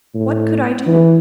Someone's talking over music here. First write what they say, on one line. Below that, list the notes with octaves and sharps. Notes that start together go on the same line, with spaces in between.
What could I do?
A2
E3